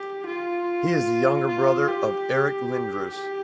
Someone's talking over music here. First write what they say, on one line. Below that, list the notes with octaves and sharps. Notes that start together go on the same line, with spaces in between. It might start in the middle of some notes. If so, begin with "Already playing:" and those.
He is the younger brother of Eric Lindros.
Already playing: G4
F4
F4
G4
G4